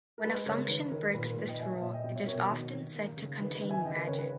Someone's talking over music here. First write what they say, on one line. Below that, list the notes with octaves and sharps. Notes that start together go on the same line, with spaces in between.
When a function breaks this rule, it is often said to contain "magic".
A#4
G#3 B4
C#3 A#4 C#5
D#3 B4
D#3 A#4
A#2 B4
A#4
A#2 B4
D#5 G5
A#2 E5 G#5
A#2 C#5 E5
D#5 G5
B2 D#5 G5
C#5 E5
B2 A#4 C#5
A#4
D#3
D#3
A#3
C#3
D#3 B4
B4
D#3
E5 G#5
C#3 D#5 G5
B4
C#3 A#4 C#5
B4